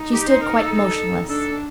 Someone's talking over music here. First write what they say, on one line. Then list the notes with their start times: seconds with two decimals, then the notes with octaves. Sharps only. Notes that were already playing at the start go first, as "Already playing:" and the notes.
She stood quite motionless.
Already playing: D#4
0.13 G4
0.27 C5
0.42 A#4
0.57 A4
0.71 A4
1.29 D4 A4